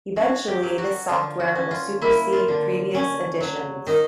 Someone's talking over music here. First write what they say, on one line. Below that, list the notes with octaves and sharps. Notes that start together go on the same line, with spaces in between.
Eventually this software will supersede previous editions.
C#4 F#4
G4
F#3
F#4
D3 F4
F#4
C#4
F4
A#3 E4
F4
D3
C#4
F#3
D#3 D#4